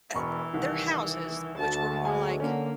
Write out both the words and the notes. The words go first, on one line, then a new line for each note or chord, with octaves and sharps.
uh their houses, which were more like
E1 E3 C#6
C2 D#3
D2 A5
G#3 G#5
D3 A#3 C#4